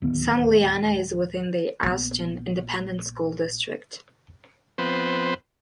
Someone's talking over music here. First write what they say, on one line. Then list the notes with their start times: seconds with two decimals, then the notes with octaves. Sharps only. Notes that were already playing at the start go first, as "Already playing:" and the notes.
San Leanna is within the Austin Independent School District.
0.02 D1 D#2 B3
1.83 A#1 B3
4.78 F3 B3 C4 B4 C5